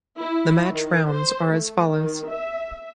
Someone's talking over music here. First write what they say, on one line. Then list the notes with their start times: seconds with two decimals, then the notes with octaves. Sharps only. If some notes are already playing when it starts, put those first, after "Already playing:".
The match rounds are as follows.
0.19 E4
0.70 D#3
1.11 C5
1.52 A3
1.91 D#3
2.30 E5